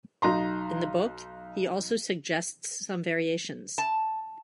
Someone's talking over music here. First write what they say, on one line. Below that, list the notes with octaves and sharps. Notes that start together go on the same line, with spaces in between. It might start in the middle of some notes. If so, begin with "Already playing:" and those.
In the book, he also suggests some variations.
B1 D#4 A#5 C6
A5